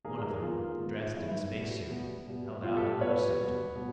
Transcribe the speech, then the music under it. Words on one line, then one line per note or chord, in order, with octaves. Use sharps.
One of them, dressed in a spacesuit, held out another suit to him.
D#3 G#3 B3 G#4 A#4
G#4 A#4
G#4 A#4
D#3 G#3 B3 F4
D#3 G#3 B3
D#3 G#3 B3 E4
B2 G3 B3
B2 G3 B3
B2 G3 B3
B2 G3 B3 F4
G4 A4
B2 G3 B3 B4 C#5
B2 G3 B3
B2 G3 B3